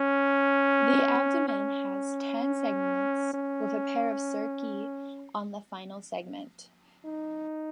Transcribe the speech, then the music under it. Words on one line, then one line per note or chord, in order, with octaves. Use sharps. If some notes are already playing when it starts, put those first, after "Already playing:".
The abdomen has ten segments, with a pair of cerci on the final segment.
Already playing: C#4
C#4
C#4
D#4